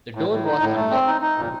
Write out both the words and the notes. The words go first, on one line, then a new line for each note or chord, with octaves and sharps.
The door was unlocked.
A2
A2
D#4
A2
A3
C4
D#4
D#4
A#2